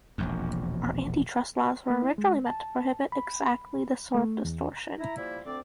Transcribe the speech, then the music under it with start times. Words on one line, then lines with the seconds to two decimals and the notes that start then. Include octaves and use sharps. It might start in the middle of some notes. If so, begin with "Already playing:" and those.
Our antitrust laws were originally meant to prohibit exactly this sort of distortion.
0.18 E1 A#1 F2
1.90 A#3
2.02 E4
2.18 G#3
2.46 A5
3.12 B5
4.15 A3
4.45 E2
4.99 E4 A#5
5.17 F3 G3 A#3 E4
5.45 D2 C4 D5